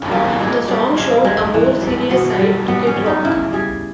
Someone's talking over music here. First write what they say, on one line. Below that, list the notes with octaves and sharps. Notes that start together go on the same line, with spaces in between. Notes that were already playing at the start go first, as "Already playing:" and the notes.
The song showed a more serious side to Kid Rock.
Already playing: C#3
G3 A#3
A#2 G#3
G3
C#3 G#3
A#3
G3 G#3
E3
G3
B2 B3
G3
G3 B3
C#4
G3
D#4
C#3 E4
G3 G#4